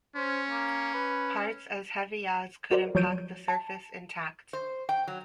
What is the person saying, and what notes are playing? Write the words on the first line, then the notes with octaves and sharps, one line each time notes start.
Parts as heavy as could impact the surface intact.
C#4 C5
A#3
B4
F#4 A#4 C5 D5
F3 F#3 C#5 G6 D7 D#7
A5
C5
G5
F#3